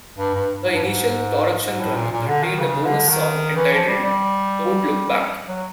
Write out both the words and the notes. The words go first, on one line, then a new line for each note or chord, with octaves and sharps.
The initial production run contained a bonus song entitled "Don't Look Back".
G2
G2
G#2
G2
G#2
G#2
A2
A#2
A#2
D3
D#3
C#3
D3
D#3
E3
F3
G3
G3
F#3